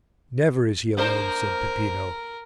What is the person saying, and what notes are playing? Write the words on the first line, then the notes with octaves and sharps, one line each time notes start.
"Never is he alone," said Peppino.
A#3 D4 A#4 C5